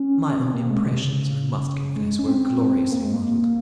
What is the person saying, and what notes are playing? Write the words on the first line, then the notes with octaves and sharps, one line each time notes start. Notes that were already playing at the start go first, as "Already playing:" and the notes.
My own impressions, I must confess, were gloriously muddled.
Already playing: C#4
C4
A#3
G#3
C3
C#3
G#3
C#4
C4
C4
A#3
G#3
A#3